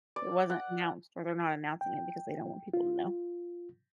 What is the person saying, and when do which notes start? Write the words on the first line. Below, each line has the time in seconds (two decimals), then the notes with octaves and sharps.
it wasn't announced or they're not announcing it because they don't want people to know.
0.16 D5
0.50 F#5
1.81 G5
2.74 F4